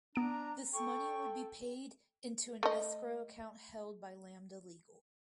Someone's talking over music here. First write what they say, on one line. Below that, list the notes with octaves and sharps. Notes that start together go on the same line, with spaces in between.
This money would be paid into an escrow account held by Lambda Legal.
B3 D4 A#5 D7
A4 G5 C#6
A3 D#5